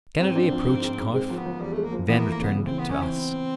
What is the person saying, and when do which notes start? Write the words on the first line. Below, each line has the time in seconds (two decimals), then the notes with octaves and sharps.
Kennedy approached Kauf, then returned to us.
0.20 G#2 C4
0.36 D4
0.52 F3
0.67 G#2
0.82 G#2
0.98 G#2
1.14 G#3 C4
1.30 F3
1.37 B3
1.45 F3
1.61 E2 G3
1.73 G#3 A3
1.84 A#3
1.92 F3
2.08 E3 B3
2.19 A#3
2.23 A3
2.31 A#3
2.40 C#3 B3
2.55 C#3
2.66 E3 C4
2.79 B3
2.87 C#3 C#4
3.02 E3 C4
3.17 B3
3.34 B3